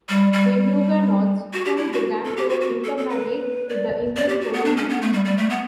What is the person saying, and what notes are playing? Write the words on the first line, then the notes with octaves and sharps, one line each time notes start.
The Huguenots soon began to intermarry with the English colonists.
G3
G3
F#4
G4
E4
F#4
A4
G4
F#4
F#4
A4
A4
B4
D5
D5
G4
F#4
B3
D4
C#4
B3
A3
G3
G3
A3
B3